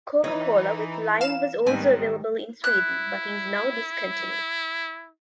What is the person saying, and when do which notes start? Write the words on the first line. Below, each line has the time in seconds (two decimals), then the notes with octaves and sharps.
Coca-Cola with Lime was also available in Sweden, but is now discontinued.
0.24 E3 D#4 B4 C#5 D#5
1.21 F5 E7
1.66 G#2 D#3 G3 B3 C4 G#5
2.64 E4 F#6